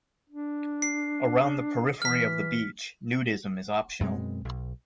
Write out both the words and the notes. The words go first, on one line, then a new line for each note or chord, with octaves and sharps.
Around the periphery of the beach, nudism is optional.
D4
C7
E3 F6 B6
F#2 B2 G#3 C4
B1